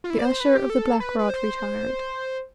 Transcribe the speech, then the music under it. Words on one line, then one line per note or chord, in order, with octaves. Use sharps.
The Usher of the Black Rod retired.
F4
E4
D5
C5
B4
G4
A4
B4
B4
C5